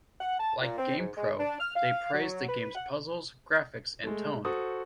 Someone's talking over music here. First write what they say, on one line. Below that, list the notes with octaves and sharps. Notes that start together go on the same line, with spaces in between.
Like "GamePro", they praised the game's puzzles, graphics, and tone.
F#5
A5
A#2
C4
G#2
G#3
D4
F6
F5
F#3
B4
F#5
G#3 A3
F#4 A4 C5 D#6